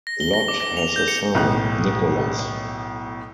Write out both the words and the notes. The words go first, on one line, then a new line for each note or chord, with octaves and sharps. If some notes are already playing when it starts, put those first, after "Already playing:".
Lott has a son, Nicholas.
A#6
G7
A#6
D6
A#6
F7
G6
C#7
B1 A2 F#6